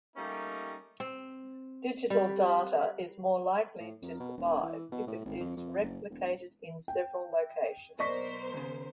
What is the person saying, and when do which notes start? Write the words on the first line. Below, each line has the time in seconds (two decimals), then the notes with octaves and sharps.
Digital data is more likely to survive if it is replicated in several locations.
0.16 G3 A3 A#3 C#4 D#4 G4
1.00 C4
2.10 G3
3.80 A2
4.02 F2
4.20 B2
4.37 E1
4.63 E3
4.92 B2
5.07 A2
5.26 G#1
5.40 F2
5.57 F2
5.82 F#1
6.10 E1
6.88 G5
8.00 B1 B3 A#4 C5 D5 D#5 C#6 B6
8.54 D#2 C#3